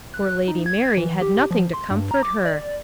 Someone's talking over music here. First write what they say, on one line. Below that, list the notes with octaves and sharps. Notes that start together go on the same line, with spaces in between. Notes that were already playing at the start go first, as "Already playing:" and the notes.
Poor Lady Mary had nothing to comfort her.
F#6
D#4
G#6
E3
G4
F3
C6
G2
A#5
D6
D5